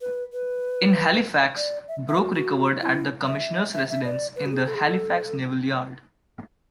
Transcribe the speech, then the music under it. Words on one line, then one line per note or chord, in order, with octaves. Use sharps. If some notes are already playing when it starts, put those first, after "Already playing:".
In Halifax, Broke recovered at the Commissioner's residence in the Halifax Naval Yard.
B4
B4
D5
E5
E5
F#4
F#4
E4
E5
E5
E5
D5
B4
F#4
G#4
A4
G#4
A4